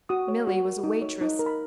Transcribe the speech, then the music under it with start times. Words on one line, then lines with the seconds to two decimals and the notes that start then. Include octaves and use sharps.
Milly was a waitress.
0.09 F#4 D#6
0.28 C#5
0.47 F#4
0.65 A#4
0.84 D#4
1.02 C#5
1.21 D#4
1.39 A#4
1.46 B5